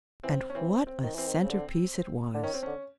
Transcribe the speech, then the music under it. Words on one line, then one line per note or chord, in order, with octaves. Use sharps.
And what a centrepiece it was!
E3 C4
C#4
E3 C4
C4
D#3
E3 C4
D#3
C#3
D3
D3
D#3 C#4
C4
D3 C#4